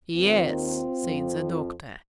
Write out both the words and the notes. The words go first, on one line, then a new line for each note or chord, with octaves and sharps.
"Yes," said the doctor.
D#2 D#3 C4 F4
F2 F3